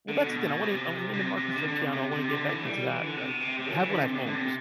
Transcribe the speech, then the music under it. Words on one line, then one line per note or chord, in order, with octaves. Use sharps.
Well, that's the thing, I want it I'm in the market for a piano. I want to get back into that, like, I have one at home 'cause
D3
B2
B2
C3
D3
C3
C3
D3
D3
C3
C3
C3
D3
E3
A3
G3
E3
D3
C3
B2
C3
C3
F#3
E3
D3
C3
B2
D3
C3